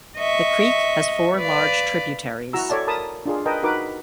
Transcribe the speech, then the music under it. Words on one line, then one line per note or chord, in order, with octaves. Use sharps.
The creek has four large tributaries.
D#5 E5 C#6
B4 D5 F5
E4 F#4 A#5 E6
A4 C#5 D5 E5 A5
A#4 A5 B5 D#6
D4 F4 G#4
A#4 B4 D#5 G5 A5
D#4 F#4 A#4 B4 D6